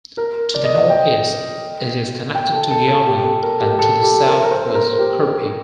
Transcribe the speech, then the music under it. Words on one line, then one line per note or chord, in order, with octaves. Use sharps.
To the Northeast it is connected to Giona and to the south with Kirphe.
A#4
D5
D#5
D5
G5
G5
A4
A4
A4
G4
A4
A#4
G4
A4
G4
A#4
A#4
C5
C5
A#4
G4